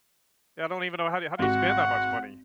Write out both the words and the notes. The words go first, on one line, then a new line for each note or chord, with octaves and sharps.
Yeah, I don't even know how do how do you spend that much money?
G#1 F#4 F#5